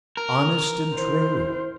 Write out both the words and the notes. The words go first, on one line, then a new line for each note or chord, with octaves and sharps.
"Honest and true."
A#4
E4 C5